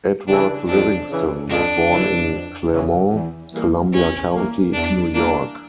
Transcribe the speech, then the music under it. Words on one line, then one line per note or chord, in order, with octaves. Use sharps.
Edward Livingston was born in Clermont, Columbia County, New York.
C#3 E3 D4
F2 D4
C#3 E3
F2 D4
C#3 E3
F2
C#3 E3
E2
E3 G3 A#3
E2 C#4
E3 G3 A#3
E2 D4
E3 G3 A#3 D4